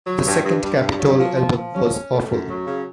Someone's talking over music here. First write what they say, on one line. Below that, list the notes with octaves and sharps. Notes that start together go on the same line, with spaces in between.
The second Capitol album was awful....
F#3
G2
G2
G2
G2
F#3
F3
F3
F3
C#4
C#4
A3
F#2
F#3
C#3